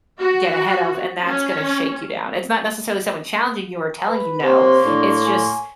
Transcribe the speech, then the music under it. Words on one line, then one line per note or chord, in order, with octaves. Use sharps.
get ahead of, and that's gonna shake you down, it's not necessarily someone challenging you or telling you no, it's just
F#4
C#4
B4
C3 A#3 C5 C#5 C6
A2 D4
G#5